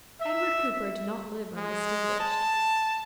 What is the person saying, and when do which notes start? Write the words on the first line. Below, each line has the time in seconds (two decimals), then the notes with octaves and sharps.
Edward Cooper did not live undistinguished.
0.20 E5
1.57 G#3
2.20 A5